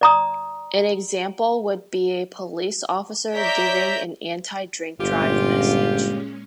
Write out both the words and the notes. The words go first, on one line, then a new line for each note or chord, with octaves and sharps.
An example would be a police officer giving an anti-drink drive message.
D5 A#5 D#6
C#5 D5 E5 A#5 G6 B6
G1 A#2 G#3 C#4 F4 G4